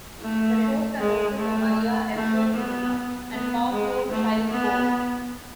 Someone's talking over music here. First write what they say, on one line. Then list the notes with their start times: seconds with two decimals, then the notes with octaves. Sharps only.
The shows were hosted by Maria Efrosinina and Pavlo Shylko.
0.21 A3
0.99 G#3
1.38 A3
2.15 A3
2.54 B3
3.32 B3
3.71 G#3
4.10 A3
4.48 B3